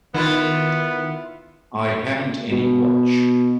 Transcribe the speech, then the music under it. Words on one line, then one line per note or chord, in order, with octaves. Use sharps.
I haven't any watch.
D#3 B3 E4 F4 B4
B2